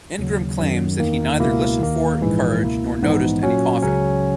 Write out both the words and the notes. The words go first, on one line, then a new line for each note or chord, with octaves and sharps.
Ingram claims that he neither "listened for, encouraged, nor noticed any coughing".
D#2 C#3 F#3
F#2 D#3 F#3
E2 D#3 A#3
C#2 B2 A#3 E4
D#2 D#3 A#3
A#1 G#2 E3 G#3
C#2 B2 A#3 E4
A#1 G#2 E3 B3 D#4
A#2 F#3 C#4 F#4
C#2 C#3 F#3 C#4